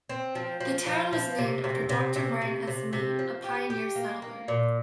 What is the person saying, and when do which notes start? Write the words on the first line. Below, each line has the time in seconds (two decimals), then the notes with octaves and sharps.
The town was named after Doctor Martin S. Mead, a pioneer settler.
0.09 C4
0.35 F3
0.61 F3
0.86 F3
1.13 F3
1.38 C3
1.64 C3
1.90 C3
2.16 C3
2.42 C3
2.67 C3
2.93 C3
3.19 F3
3.44 G4
3.70 G4
3.96 A#3
4.22 A#3
4.48 A#2